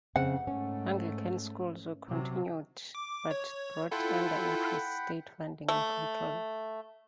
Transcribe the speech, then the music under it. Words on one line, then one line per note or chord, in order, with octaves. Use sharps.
Anglican schools were continued, but brought under increased state funding and control.
F2 C#3 C4 F#5
G#2 A3 C#4
C3 F#3
D6
C#5
E4 F4 A4 F#5 G5 B5
A3